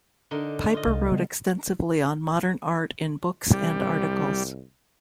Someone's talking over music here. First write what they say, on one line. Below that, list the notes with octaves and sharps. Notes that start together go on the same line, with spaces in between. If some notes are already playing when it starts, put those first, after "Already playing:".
Piper wrote extensively on modern art in books and articles.
D3 D#4 A#4
F4 D#5
C2 G#3
C#3 G3 B3
C2 G3